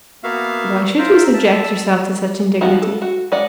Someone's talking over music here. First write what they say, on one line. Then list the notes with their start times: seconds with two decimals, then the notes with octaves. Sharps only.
"Why should you subject yourself to such indignity?"
0.23 A#3 B3 F#4 E5 F5
0.98 F4 A#4 C5 E5
1.34 E5 A5
2.61 D#3 F3 G3 B3 F#4
2.82 A4
3.02 F#4
3.32 G#3 D5 F#5